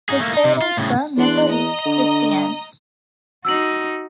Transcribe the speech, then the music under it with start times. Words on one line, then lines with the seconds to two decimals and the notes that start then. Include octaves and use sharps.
His parents were Methodist Christians.
0.09 D#4 G#4
0.20 A3 A#3
0.32 D#4
0.45 C3
0.61 F4
0.77 A2 C#3
1.17 E2 D4 C6 F#6
1.47 D#5 A#5
1.85 D3
3.45 D#4 F#4 E6 F#7